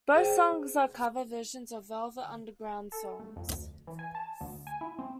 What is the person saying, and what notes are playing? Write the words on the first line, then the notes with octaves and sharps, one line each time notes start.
Both songs are cover versions of Velvet Underground songs.
G#4 C5 D5 G5
A4
A3
F2
D2
E3
G#5
A5
D2
G#5
E4
C4